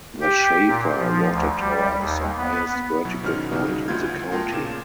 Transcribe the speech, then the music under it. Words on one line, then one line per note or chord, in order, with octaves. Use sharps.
The Shafer watertower is the highest vertical point in the county.
G4
A#2
F3
D2
G3
D#2
B3
B2 F#3 E4
G#2 B2 D#3 C#4 F6
C#2 C#3 G3 D#4 F#4
D2 B3 E4 F4 G6 G#6
A3 B3 F4 A#4 G5 A5
A#2 C#3 E7